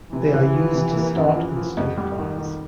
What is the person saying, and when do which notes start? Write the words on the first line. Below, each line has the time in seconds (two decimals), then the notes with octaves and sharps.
They are used to start and stoke fires.
0.13 C3 E3
0.33 C2
0.54 F3
0.75 C3
0.95 A#3
1.16 F#2
1.35 F3
1.56 F3
1.77 F2
1.98 G3
2.18 D#3
2.38 D#3